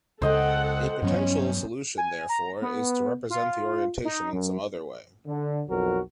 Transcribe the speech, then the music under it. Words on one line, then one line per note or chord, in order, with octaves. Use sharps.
A potential solution therefore is to represent the orientation in some other way.
C#2 C#3 G#3 A4 C5 D#5 F#5 G5
G2 F#3 B3 C#4
G#5
A#5
B3
F4
D#4
F#2
D3
B1 F2 F#3 F#4 A#4